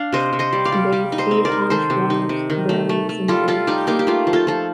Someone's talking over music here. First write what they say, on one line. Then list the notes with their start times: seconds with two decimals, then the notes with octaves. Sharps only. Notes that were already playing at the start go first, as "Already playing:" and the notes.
They feed on shrubs, berries and roots.
Already playing: D4 F5
0.13 C3 C5 D#5
0.33 C3
0.39 C5 D#5
0.53 G3
0.65 D5 F5
0.72 G3
0.93 G3
1.12 D#4
1.18 C5 D#5
1.31 C4
1.45 A#4 D5
1.52 D#4
1.70 D#3 A4 C5
1.90 C3
2.10 D#4
2.29 C3
2.50 D#3
2.69 A3
2.89 A3
3.09 A3
3.28 G3 F4 A4
3.48 G3 F4 A4
3.67 G3 D#4 G4
3.87 A#3 D#4 G4
3.99 G4
4.07 A3 F4
4.27 F3
4.33 F4 A4
4.47 F3 A4